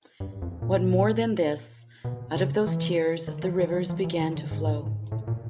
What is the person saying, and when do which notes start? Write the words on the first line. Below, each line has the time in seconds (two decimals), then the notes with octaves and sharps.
What more than this, out of those tears, the rivers began to flow.
0.20 G2
0.42 F2
0.62 A#2
2.05 B2
2.36 C#3
2.67 E3
3.27 D#3
3.43 F3
3.59 E3
3.74 F#3
3.90 F3
4.04 E3
4.20 D#3
4.36 D3
4.51 G#2
4.65 A2
4.78 G#2
5.12 A2
5.27 A#2